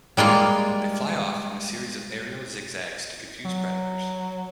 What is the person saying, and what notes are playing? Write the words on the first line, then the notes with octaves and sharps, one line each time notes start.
They fly off in a series of aerial zig-zags to confuse predators.
G3 G#3 A#3 F4
F#3